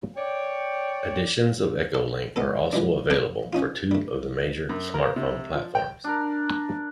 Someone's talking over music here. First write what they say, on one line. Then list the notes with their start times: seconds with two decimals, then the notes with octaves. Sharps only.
Editions of EchoLink are also available for two of the major smartphone platforms.
0.17 C#5 D5 G5
1.94 A4
2.36 G#3 B3 A4
2.73 E3 F3 G3 G#3 D4
3.10 C3 G3 A4 G5 D6
3.53 C#4 D#4 F4
3.91 G3 A3
4.69 F#2
4.94 A#4
5.16 C3
5.55 F3
5.75 G5
6.04 D4 A#4